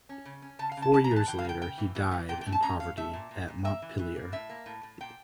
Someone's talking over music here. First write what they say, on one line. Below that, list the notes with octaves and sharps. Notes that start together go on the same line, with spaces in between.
Four years later he died in poverty at Montpellier.
C#4
C#3
C#4
C#3 A5
F5
C#3
A5
C#3 A5
A#5
E3
A5
E3 G5
F5
C#3 G5
C#3 G5
E3
E3
E3
A#2 G5
G5
A3
A5
C#4 A#5
C#4 F5
A3 E5
A#2
A#2
A#2
A#3 E5
E3
E3
A#3
A2 E5
A#3
A2
A2
A#2 G5